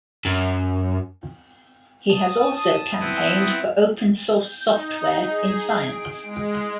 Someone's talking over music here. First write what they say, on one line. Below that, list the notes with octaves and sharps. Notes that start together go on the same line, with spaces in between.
He has also campaigned for open-source software in science.
F#2
A5 D#6
B3 C4 E4
G6
D#4
G#4
D7
G#3